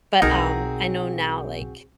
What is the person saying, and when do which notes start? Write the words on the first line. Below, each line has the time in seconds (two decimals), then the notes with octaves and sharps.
but, um, I know now, like
0.22 B1 C4 D#4 F#4 G#4 A#4 G#5